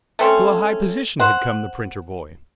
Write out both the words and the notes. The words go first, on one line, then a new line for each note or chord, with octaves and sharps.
To a high position had come the printer-boy.
A3 C4 C#4
C5 F#5